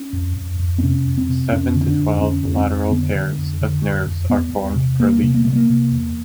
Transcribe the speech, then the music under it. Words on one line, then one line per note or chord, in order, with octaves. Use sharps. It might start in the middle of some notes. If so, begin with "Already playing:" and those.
Seven to twelve lateral pairs of nerves are formed per leaf.
Already playing: C#4
F2
F2
F2
C4
C3 C#4
F2
C4
C3
F2 C#4
D3
C#4
D4
F2
D3 C#4
F2
C4
F2
D3 B3
D3
F2
D3
F2
F2
E2 B3
E2
C3
E2 A#3
C3
A#3
C3 A3
A#3
C3
E2